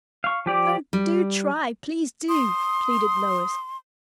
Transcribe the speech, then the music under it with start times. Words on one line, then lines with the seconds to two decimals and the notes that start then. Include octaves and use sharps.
"Oh, do try, please do!" pleaded Lois.
0.24 F5 C#6
0.46 F3 G4 D5
0.93 G3
2.28 C6 D#6